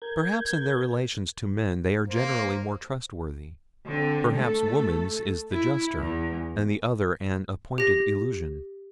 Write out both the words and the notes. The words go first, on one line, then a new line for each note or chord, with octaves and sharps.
Perhaps in their relations to men they are generally more trustworthy--perhaps woman's is the juster, and the other an appointed illusion.
A#4 G6 G#6
A#3 C5
D3 C4
A3 A4
E4
E2
G4 A#6